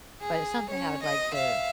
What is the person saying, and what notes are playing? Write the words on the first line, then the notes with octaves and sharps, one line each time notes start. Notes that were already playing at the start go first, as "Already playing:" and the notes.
but it's something I would like to
G#4
C#4 C#5
D#5 D#7
E5 F5